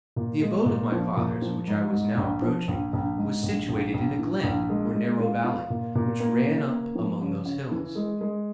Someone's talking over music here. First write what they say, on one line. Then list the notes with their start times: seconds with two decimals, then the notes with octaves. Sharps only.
The abode of my fathers, which I was now approaching, was situated in a glen, or narrow valley, which ran up among those hills.
0.16 A#2
0.42 G#3
0.66 A#2
0.92 F3
1.17 A#2
1.42 F3
1.67 G#2
1.92 G#2
2.17 A#1
2.42 F3
2.68 A#1
2.93 A#1
3.17 G#2
3.43 A#1
3.69 A#1
3.94 A#1
4.19 E3
4.43 A#1
4.69 G#3
4.93 G#3
5.20 F4
5.44 F4
5.70 A#2
5.95 A#2
6.20 A#3
6.45 C#3
6.70 A#3
6.95 F3
7.21 C#3
7.46 C#3
7.71 E3
7.96 G#3
8.21 G#3